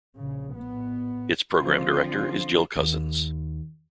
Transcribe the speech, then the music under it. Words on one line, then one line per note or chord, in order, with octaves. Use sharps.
Its programme director is Jill Cousins.
A#1 C#3
A2 B3
D3 F3 C4 F4
D#2